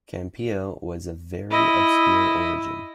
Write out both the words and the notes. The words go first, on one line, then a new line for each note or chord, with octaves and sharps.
Campillo was of very obscure origin.
E4 D#5